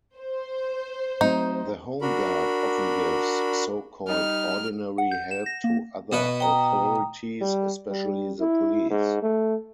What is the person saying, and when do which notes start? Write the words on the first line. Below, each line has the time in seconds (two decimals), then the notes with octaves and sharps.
The Home Guard often gives so-called ordinary help to other authorities, especially the police.
0.17 C5
1.21 F#3 A3 C4 D#4
2.01 D4 F#4 A#4 B5
4.08 G3 D#4 F6
4.98 F#5
5.11 G6
5.31 E7
5.46 A#6
5.64 A#3
6.12 B2 F#4 B4
6.40 G5 A#5 D#6
7.41 G3
7.89 G3
8.40 E4
8.90 G#2
9.22 A3